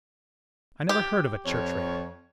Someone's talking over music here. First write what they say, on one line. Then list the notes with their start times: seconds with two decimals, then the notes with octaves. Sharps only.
"I never heard of a church-rate."
0.89 G4
1.46 F2 C#5